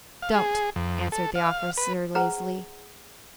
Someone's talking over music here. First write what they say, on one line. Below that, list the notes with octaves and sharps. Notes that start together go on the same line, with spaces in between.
"Don't," answered the officer lazily.
F5
G#4
F2
A4
F5
B4
G#4 B4 C5 F#5 A#5